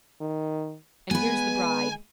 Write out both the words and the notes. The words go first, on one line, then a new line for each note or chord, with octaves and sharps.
And here's the Bride!
D#3
G#3 B3 B4 G#5